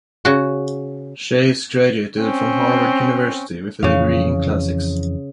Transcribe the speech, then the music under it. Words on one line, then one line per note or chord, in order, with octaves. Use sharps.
Chace graduated from Harvard University with a degree in Classics.
C#3 F#4
C4 C#4
F2 C#3 E3 F5